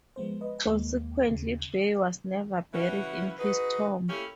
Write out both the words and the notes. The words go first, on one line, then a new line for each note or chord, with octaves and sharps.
Consequently, Bay was never buried in his tomb.
F3 G#3 B3 C5
B4 D#5
D#2 G#3 A#3
D#2 C#3
C#3 E3 C#4 E4 F#4
D#4 F#4 G#4 B4
A3 A#3 C#4 E4 G4